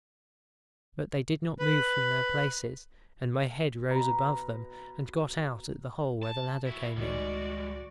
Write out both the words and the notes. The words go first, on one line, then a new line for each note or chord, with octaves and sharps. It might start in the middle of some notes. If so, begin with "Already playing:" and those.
But they did not move from their places, and my head rose above them, and got out at the hole where the ladder came in.
B4
B2 A#5 B5
A5
E4 F#4
C#2 A2 D#3 G3 G#3 F#4 D5